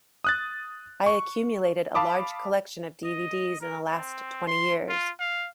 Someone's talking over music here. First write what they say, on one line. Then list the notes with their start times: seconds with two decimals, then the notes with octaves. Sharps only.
I accumulated a large collection of dvds in the last twenty years.
0.24 D#6 F#6 A6
1.06 C#6
1.95 F5 A5 B5 D6 D#6
3.04 D#5
3.61 A#4
3.92 C4
4.47 C6
4.89 F4
5.20 F5